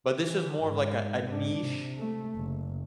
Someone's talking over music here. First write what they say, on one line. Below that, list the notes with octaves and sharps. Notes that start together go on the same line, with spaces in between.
but this was more of, like, a a niche
E3
G#2
G#2 D4
C3
A3
F#1